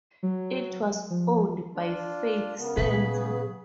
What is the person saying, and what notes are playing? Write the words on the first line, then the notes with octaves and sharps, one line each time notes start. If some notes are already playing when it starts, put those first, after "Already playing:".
It was owned by Faith Center.
F#3
F3
D4 F4
C#3 B3 A#4
A#2 F#3 G#4 B4